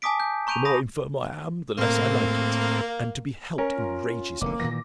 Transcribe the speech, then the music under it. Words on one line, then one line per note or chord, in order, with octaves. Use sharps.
The more infirm I am, the less I like it--and to be helped enrages me.
G#5 A5 D6 D#6 B6 D7
G6
A#5 C#6 G6 D7 D#7 F7
B5 D#6 A#6
A2 A#3 C4
C#4 A#4
F4
F1 D3 A#3 D6
A#2 D#3 E3 A#6